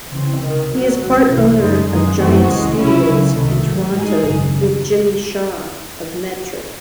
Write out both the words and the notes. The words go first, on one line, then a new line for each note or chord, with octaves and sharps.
He is part owner of Giant Studios in Toronto with Jimmy Shaw of Metric.
C#3 E3 C4
C#2 C3 D#3
C#2 C#3 F#3
G#1 G#2 F#3
C2 C3 E3
F#2 C#3 G#3 D#4
F#2 D#3 G#3 D#4 G#4
F#2 E3 A3 C4 F#4
C#2 C#3 E3 G#3
C#2 C3 F#3 C#4 E4
C#2 C#3 F#3
C2 C3 D#3 A3
G#1 G#2 F#3
G#2 E3 G#3 D#4 G#4
G#1 F#2 C#3